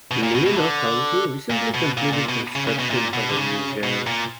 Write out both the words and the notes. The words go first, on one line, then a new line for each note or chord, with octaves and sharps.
Leelenau County recently completed construction of a new jail.
B2
A#2
B2
B2
E3
D3
A#2
B2
A#2
A#2
B2
C#3
C#3
B2
A#2
B2
D3
C#3
B2
A#2